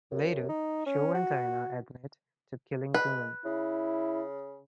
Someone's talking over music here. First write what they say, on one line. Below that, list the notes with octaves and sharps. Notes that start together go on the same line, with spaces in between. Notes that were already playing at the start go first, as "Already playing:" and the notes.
Later, Sho and Diana admit to killing Dunan.
F#2
D#4
C#4
F#4
G#3 B4
C#3 E4